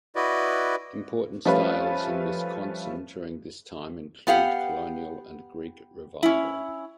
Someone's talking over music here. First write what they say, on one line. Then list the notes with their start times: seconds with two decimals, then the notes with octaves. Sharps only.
Important styles in Wisconsin during this time include colonial and Greek revival.
0.16 E4 F#4 B4 D5 D#5
1.45 F3 G3 A3 C#4 F4 B4
4.27 B3 G4 F5 F#5
6.23 C#4 E4